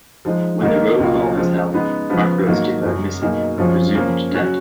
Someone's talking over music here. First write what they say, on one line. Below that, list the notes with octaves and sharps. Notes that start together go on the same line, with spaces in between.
When the roll-call is held, Macro is declared missing, presumed dead.
F3 G#3 D#4
D#3 A#3 D#4 A#4
C#2 B2 A#3 F4
C#3 F3 G#3
C#3 G#3 B3 D#4
C#3 F3 B3
G#2 D#3 F#3 A#3
F#2 C#3 F#3
B2 F#3 A#3 D#4 G#4
F#2 F3 G#3 C#4 F4
C#3 F3 A#3 C#4
C#3 F#3 C#4 F#4